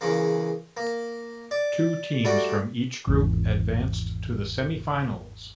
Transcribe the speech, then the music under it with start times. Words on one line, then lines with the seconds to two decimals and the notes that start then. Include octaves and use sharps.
Top two teams from each group advanced to the Semifinals.
0.01 E2 C#3 A#3
0.77 A#3
1.51 D5
2.25 G3 A3 D4 F#4
3.07 G#1 E2